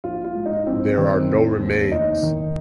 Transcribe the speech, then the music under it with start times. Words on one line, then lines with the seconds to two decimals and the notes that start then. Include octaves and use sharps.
There are no remains.
0.04 A#1 F4
0.24 F4
0.35 G#2
0.46 D#4
0.66 A#1 C4
0.97 D#3 C4
1.29 F1
1.60 D#2
1.91 F1 D#4
2.23 D#3